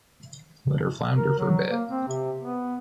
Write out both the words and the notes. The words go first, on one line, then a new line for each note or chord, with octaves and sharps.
Let her flounder for a bit.
A#4
F#3
A#3
C4
C3
B3